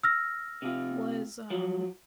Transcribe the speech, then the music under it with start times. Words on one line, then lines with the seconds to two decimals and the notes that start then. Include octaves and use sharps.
was, um
0.03 E6 F6 A#6
0.62 C3 F4
1.50 F3 F#3